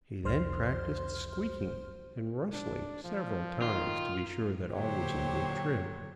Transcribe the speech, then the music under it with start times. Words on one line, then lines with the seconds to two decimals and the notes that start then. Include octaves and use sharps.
He then practiced squeaking and rustling several times to be sure that all was in good trim.
0.24 C2 F2 C5 C6 F6
2.53 D4
3.04 F3
3.62 D#3 F4
4.75 A#2 D3 F#3 G4 C5 C#5